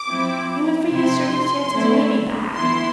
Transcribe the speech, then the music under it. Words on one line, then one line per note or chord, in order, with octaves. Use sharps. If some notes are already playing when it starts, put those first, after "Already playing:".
I am afraid his circumstances may be bad.
Already playing: D6
F3 C4 E4
C3 F3 C4 E4 C6
D3 A3 E4
E3 B3 E4 C6